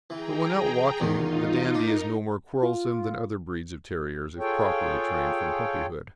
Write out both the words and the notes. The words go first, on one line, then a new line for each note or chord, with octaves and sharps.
But when out walking the Dandie is no more quarrelsome than other breeds of terriers, if properly trained from puppyhood.
E3 G#4 G5 A#5
E2 D#3 D#4 F4
D4 D#4 A#4
F4
F4 G#4 A4 C#5 G5